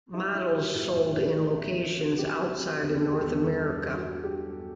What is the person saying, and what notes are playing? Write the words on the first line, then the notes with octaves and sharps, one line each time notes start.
Models sold in locations outside North America.
G3 E4
G3 E4
G3 F#4
A2 E4
A2 E4
A2 D4
E3
E3 E4
C3
C3 F#4
C3 G4
C3 F#4
C3
E2
C3 A4
G4
E2 A4
G2 A4
G2
G2
F#4
G2
G2 G4
F#3